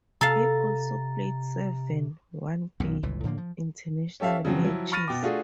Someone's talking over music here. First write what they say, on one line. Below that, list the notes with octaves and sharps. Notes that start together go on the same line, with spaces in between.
He also played seven One Day International matches.
C3 A4 F5 A#5 A6
B1 F#2 A#2
G1 C#2 A#2 E3
A2 D3 F3 A#3
F3
C#4 G4 A4 E5 F5
C#3 F3 F#3 C4
F3 F#3 E4
B5 C#6 F6 A6 A#6 D#7
B2 G5 D6
A3 D4 F4 F#4 G#4